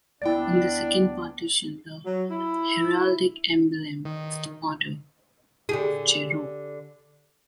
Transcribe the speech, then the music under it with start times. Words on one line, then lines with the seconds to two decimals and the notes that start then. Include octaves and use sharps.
In the second partition, the heraldic emblem of the Order of Jerome.
0.22 D2 B3 D4 E4 D5 G5
2.05 F#3
2.31 E4
4.05 D#3
5.69 D3 G4 G#4